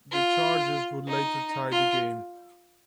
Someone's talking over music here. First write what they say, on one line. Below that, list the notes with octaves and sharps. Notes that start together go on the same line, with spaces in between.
The Chargers would later tie the game.
F4
D#4
F4